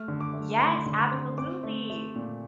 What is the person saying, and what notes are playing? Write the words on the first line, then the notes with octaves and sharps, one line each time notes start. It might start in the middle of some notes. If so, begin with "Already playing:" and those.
Yes, absolutely.
Already playing: A3 F6
D3
D6
A3
A3 C6
D3
C6
C4
C4 D6
A3
A3
A#2